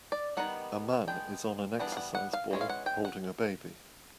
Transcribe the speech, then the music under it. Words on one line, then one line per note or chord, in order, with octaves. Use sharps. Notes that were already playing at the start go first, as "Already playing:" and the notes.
A man is on an exercise ball holding a baby.
D5
D#3 G3 B3 D#4 F#5
G#3 B3 D4 G5
E3 G3 B3 D4 F#5
F5
F#5
F#5
F5
E3 G#3 C#4
F5
F#5
G5
F#5